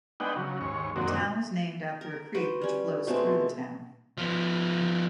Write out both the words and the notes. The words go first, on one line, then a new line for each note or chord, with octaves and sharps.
The town is named after a creek which flows through the town.
G#3 B3 D4 D#4 F#5 G5
C#3 F#3
D#2 G#2 C#5
F#2 A#2 D#3 C4 D4 F#4
A#4
F#4 B4 C5
G3 C#4
B2 G#3 A3 C4
F3 B3